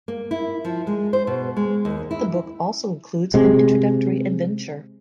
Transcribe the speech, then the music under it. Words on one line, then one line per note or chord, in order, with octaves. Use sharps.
The book also includes an introductory adventure.
A#3
E4
F3
G#3
C5
B2
G#3
D#2
E4
C3 G#3